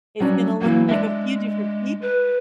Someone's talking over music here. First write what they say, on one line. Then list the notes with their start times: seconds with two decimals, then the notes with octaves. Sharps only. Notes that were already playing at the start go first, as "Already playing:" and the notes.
It's gonna look like a few different peop
0.20 F#3 G3 C#4 D4
0.61 E3 F#3 A#3
0.89 G#3 D4 E5
2.02 B4